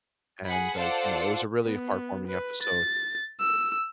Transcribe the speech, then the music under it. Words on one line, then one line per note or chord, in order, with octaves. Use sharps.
and like, you know, it was a really heartwarming episode,
G#4 F#5 B5
F4 A4 C5 D5 F#5
B3
B4
A6
E6